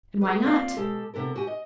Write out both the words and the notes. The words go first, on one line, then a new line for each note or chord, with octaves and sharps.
"And why not?"
G#4 B4
A#3 C4 F4 D5 F5
B2 G#3 G4 A4
C3 B3 A4 A#4
F#4 G4 G#5
D#5